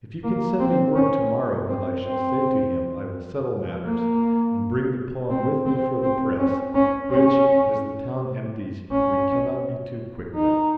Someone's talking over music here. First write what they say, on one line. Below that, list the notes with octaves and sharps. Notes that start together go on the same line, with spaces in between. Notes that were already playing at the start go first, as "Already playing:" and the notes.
If you can send me word to-morrow what I shall say to him, I will settle matters, and bring the poem with me for the press, which, as the town empties, we cannot be too quick with.
A#3
C4
C#4
C4
C4
A#3
C4
C4
C4
C#4
C#4
C#4
C#4
D#4